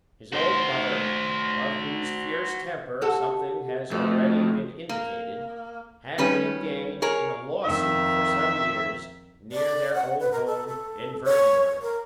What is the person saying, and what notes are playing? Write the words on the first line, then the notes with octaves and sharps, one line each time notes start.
His old mother, of whose fierce temper something has already been indicated, had been engaged in a law-suit for some years near their old home in Wuertemberg.
F#4 C5
F#4 G4 A4
F2 A3 F#4
A#3
D#3 G3 C#4 B4
G#4 A#4 C#5
F2 D#3 E5
D5
F#5
B4
A#4
A4
A4
C#5
A#4